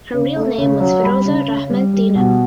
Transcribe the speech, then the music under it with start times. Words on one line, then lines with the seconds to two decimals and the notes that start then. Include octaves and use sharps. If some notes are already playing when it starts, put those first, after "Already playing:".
Her real name was Firoza Rahman Tina.
0.14 C#3
0.36 A3
0.58 C#3
0.80 F#3
1.03 G3 B5
1.25 C#3
1.48 C#3
1.70 G3
1.93 G3
2.15 B2